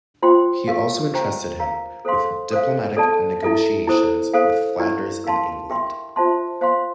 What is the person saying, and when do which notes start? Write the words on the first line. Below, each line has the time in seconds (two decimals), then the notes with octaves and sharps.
He also entrusted him with diplomatic negotiations with Flanders and England.
0.22 F4 C5 G5 C6
0.68 G4 A#4 F5
1.14 G4 C5 G5 A#5
1.59 A#4 F5 A#5
2.05 A4 C5 F5 C6
2.51 A4 C5 F5
2.97 A4 D5 A5
3.43 E4 A4 E5
3.87 E4 A4 C5
4.33 A4 C5 F5
4.79 E4 G4 D5
5.24 A#4 F5 A5 C6
5.70 G4 A#4 E5 G5 C6
6.16 F4 C5 E5 A5 C6
6.61 C5 F5 C6